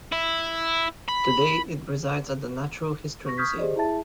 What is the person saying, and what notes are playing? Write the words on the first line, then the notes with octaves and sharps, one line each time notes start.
Today it resides at the Natural History Museum.
E4
B5
C#6 A#6
C#6 D#6 F6 G6 G#6 B6
G4 G#4 C5 D5 D#5
E4 G#4 E5 A5 A6